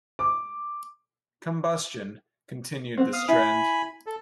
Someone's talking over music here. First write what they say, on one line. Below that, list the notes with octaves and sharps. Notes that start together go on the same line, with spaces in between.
"Combustion" continued this trend.
D6
B3 C4
F5 D#6 F6
E4 G#5 B5
A4